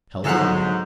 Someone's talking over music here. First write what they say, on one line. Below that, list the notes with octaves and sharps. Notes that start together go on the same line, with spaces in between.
Tell no one.
G#2 D3 F#3 B3 D#4 A4 F5 F#5